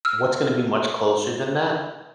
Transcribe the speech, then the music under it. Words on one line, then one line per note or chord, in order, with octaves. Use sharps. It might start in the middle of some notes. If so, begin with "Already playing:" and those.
what's gonna be much closer than that
E6 F6